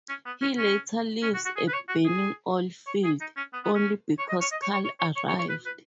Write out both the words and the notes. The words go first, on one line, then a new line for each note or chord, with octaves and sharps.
He later leaves a burning oil field, only because Carl arrived.
C#4
B3
C#4
C#4
C#4
F#4
F#4
G#4
B4
C#5
F#4
G#4
C#5
G#4
D#4
C#4
B3
B3
C#4
C#5
D#5
C#5
D#5
C#5
C#5
C#5
C#5
C#5
C#5
C#5
B4
B4